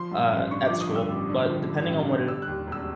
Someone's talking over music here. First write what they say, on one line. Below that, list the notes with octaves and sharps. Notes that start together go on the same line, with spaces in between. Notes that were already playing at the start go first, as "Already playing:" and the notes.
uh, at school. But depending on what it
Already playing: F3 C6
G2
A1
D3 C#6
F3 D6
D#6
G2
E6
A1
D3
F3
G2
A1
D3
G3 E6
F#6
D#2
E1 E6